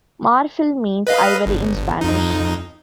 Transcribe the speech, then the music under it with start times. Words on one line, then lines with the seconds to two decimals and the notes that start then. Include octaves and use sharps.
Marfil means 'Ivory', in Spanish.
1.07 B4 D#5 F5
1.46 G1
2.01 F2 D#4